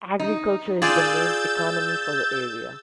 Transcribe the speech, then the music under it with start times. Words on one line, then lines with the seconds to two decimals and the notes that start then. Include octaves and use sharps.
Agriculture is the main economy for the area.
0.20 D#4
0.82 F4 G#4 D5 E6 G6 A6